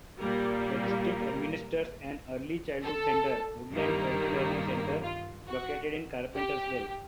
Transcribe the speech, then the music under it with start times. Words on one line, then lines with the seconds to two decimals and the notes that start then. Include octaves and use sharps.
The district administers an early childhood center, Woodland Early Learning Center, located in Carpentersville.
0.19 A#2 G3 A#3 A#4
1.08 A#4
2.83 A4
3.72 G2 D#3 G3 A#3
5.03 F4
5.47 F#4
6.35 G4